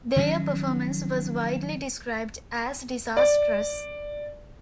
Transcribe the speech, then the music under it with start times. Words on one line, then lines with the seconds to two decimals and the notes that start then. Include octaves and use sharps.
Their performance was widely described as disastrous.
0.16 D#3 F3 F#3 C#4
3.17 D5